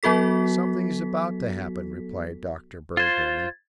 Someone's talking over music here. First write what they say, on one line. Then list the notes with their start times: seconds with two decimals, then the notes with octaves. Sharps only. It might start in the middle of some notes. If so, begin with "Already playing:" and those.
"Something is about to happen," replied Dr. Bird grimly.
0.03 F#3 B3 F#4 A4 B6
2.97 F4 C5 G#6 A6